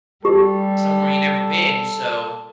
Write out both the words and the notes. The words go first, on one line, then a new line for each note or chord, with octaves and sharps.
somewhere you never been, so
G3 G4 A4